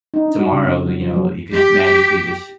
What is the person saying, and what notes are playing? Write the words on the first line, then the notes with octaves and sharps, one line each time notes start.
tomorrow, you know, you could magically just
D#4
D4
F#4
C#3
C4
F#3
F3
F#3
G4